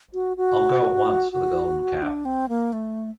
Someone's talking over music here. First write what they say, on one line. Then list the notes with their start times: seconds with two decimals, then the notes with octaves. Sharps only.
I'll go at once for the Golden Cap.
0.13 F#4
0.37 F#4
1.32 F#4
2.02 D4
2.25 C4
2.49 A#3
2.73 A3